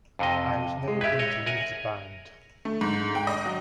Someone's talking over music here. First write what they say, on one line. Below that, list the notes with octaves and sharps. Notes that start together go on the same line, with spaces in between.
I was never going to leave the band.
F2 C3 D#5
G#3
G4 B4 E5 G#6
C#5 D#5
A#4 F#5 G#5
A3
G#2
G5
D#5
F#3